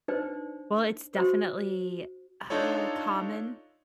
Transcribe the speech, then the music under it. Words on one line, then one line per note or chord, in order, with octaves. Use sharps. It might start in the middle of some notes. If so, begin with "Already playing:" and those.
well, it's definitely, uh, common...
D4 D#4 B4 C5 D5
F#4 C5
D4 D#4 F4 A4 C#5